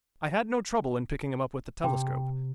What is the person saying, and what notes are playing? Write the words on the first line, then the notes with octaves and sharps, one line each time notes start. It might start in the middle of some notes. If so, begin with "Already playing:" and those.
I had no trouble in picking him up with the telescope.
C3 G5